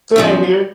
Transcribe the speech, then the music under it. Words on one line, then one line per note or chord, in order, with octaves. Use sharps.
Same here.
E2 C#3 F3